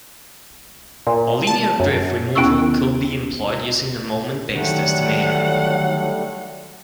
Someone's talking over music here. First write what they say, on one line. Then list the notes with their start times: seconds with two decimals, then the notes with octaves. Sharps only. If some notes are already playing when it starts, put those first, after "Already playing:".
A linear drift removal could be employed using a moment based estimator.
1.07 A#2
1.47 A5
1.80 F#2
2.35 D#2 B3 C#4 E4 C#6 E6
4.55 D3 D#3 F#3 G3 A3 F#5